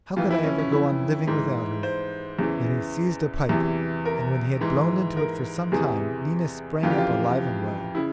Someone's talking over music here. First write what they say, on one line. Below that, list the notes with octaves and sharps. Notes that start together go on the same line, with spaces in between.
How could I ever go on living without her?' Then he seized a pipe, and when he had blown into it for some time Nina sprang up alive and well.
F2 E3 F4
E4
C#4
C#4
E4
G#2 E3
C5
E2 C#3 E3
E2 C3 E3
A#4
G#2 E3
A#4
E2 C3 E3 G#4
F2 C#3 E3 F4
G4
F4
C#3 E4